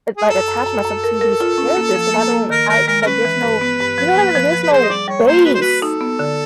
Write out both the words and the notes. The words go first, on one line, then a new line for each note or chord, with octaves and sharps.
l like, attach myself to these characters 'cause I don't I like there's no you know what I mean? Like there's no base.
G#4
F#2 A4
F#2
F#2
F#2
A#4
A#4
F4
C#4
A#3
F3
A#3
A#3
D#3 A#4
D#3 A#4
G#3 A#4
A#4
C#4 B4
E3
G2
B3
G2
F3
A#3
F3
F3
B4
G#4 C5
D#5
G3 D5
G3 C#5
A#3 C5
F#4 B4
C5
F#4 B4
D#4 A4
B3
D3